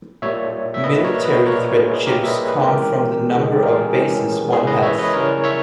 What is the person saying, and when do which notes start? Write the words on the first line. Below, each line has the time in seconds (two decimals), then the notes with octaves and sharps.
Military Threat chips come from the number of Bases one has.
0.22 A#2 G3 A#3 C#5 E5
0.74 E5
0.84 A#2 G3 A#3 B4 D#5
1.04 A#4 C#5
1.24 B4 D#5
1.45 A#2 G3 A#3 A#4 C#5
1.77 G#4
2.06 A#2 G3 A#3 G4 A#4
2.23 E5
2.27 B4 D#5
2.47 G#4 B4
2.68 E3 G#3 C#4 G4 A#4
3.30 E3 G#3 C#4 G#4
3.51 G4
3.63 A#4
3.71 G#4
3.91 E3 G#3 C#4
4.52 E3 G#3 C#4 G#4
4.67 B4 D#5
4.82 C#5 E5
4.98 B4 D#5
5.13 C#3 G3 C#4 E4 A#4 C#5
5.44 C#5 E5